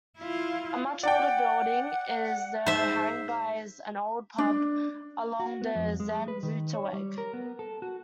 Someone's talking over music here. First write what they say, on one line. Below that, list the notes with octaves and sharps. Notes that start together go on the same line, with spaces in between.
A much older building is the "Haringbuys", an old pub along the Zandvoorterweg.
E4 F4
D5 F#5 G5
G#2 C5 E5
D4
F#4
B3
F2
G#3
B4
D#3
C#5
G3
A#4
B3
A4
F#4